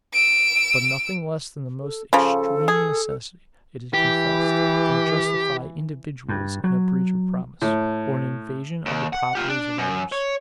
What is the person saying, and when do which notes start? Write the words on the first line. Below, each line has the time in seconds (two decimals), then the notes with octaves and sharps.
But nothing less than the most extreme necessity, it is confessed, can justify individuals in a breach of promise, or an invasion of the properties of others.
0.13 E6 D7
1.80 A4
2.13 C#3 F3 A4
2.68 G#4
3.94 E3 G4
6.29 G2
6.64 F#3
7.62 A2
8.86 D#2
9.13 F#5
9.35 F4 G4
9.50 D4
9.78 F#2
10.12 C#5